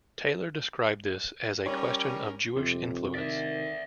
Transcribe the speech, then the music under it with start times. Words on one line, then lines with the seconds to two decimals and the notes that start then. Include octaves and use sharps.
Taylor described this as a question of Jewish influence.
1.66 G3 C#4 A#4 C#5
2.57 F2 C3
3.15 D#3 D5 E5